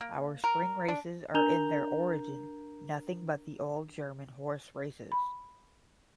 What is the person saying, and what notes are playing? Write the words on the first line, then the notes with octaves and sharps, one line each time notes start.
Our spring races are in their origin nothing but the old German horse-races.
A#3
A#4
D4
D4 A#4 A#5 G6 F7 G7
B5